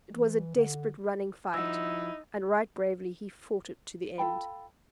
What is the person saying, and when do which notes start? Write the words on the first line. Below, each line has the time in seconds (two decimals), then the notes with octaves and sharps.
It was a desperate running fight, and right bravely he fought it to the end.
0.09 E3
0.55 D3
1.54 F3 D#4 E4 F#4 E6
4.18 F4 A4 G5 B5